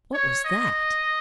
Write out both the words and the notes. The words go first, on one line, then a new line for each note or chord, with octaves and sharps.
What was that?
C#5
D#5